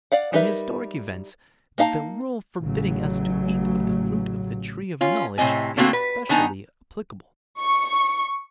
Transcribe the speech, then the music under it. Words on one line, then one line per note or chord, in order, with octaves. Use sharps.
In historic events the rule forbidding us to eat of the fruit of the Tree of Knowledge is specially applicable.
D5 F5 F#5
G3 D#4 A#4 B4 E5
A#3 D#4 F5 A5 A#5
A1 C#3 F#3
C#4 F4
A2 C3 D#5 G#5
D3 A3 A#3 C4 F#4
B4
D#3 B3 D4 D#4 G#5 A#5
C#6